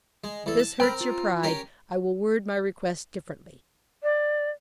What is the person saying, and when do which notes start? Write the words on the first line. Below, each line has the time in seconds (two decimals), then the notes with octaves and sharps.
If this hurts your pride, I will word my request differently.
0.24 G#3
0.46 E2 A4
0.59 A5
0.80 C4 A#4 G5 B5 F6
1.01 F4
1.43 C#4 G4 A#4
4.03 D5